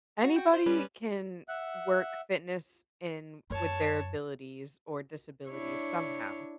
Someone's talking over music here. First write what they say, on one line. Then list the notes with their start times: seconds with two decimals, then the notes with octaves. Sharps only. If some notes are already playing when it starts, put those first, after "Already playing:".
anybody can work fitness in with their abilities or disabilities, somehow
0.24 F#4
0.36 F#4 G5
0.53 C5
0.66 G3 C#4 B4
1.48 E5 F#5 F#6
3.50 F#2 C#5 A5
5.49 D4 E4 C#5